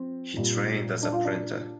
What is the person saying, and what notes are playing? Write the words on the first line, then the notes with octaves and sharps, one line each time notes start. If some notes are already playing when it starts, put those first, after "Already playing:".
He trained as a printer.
Already playing: F3 C4
A#2 G3
D4
F4
D4